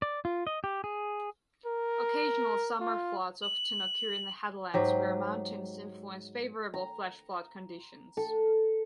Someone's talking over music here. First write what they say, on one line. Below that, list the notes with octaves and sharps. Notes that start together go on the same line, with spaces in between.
Occasional summer floods often occur in the headlands, where mountains influence favorable flash-flood conditions.
D5
F4
D#5
G4
G#4
A#4
F4
F#7
G#2 F#3 G4
A#5
A4